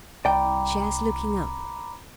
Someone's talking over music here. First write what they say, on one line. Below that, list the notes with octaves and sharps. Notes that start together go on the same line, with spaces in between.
Shares looking up.
C2 D5 G5 A#5 B5 D6